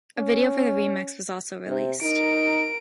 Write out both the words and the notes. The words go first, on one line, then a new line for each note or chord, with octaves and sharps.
A video for the remix was also released.
C#4
C3
D#4 A#4 D7